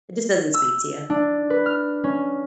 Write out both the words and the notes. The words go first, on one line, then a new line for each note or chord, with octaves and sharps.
It just doesn't speak to ya.
E6
D4
B4
F6
C#4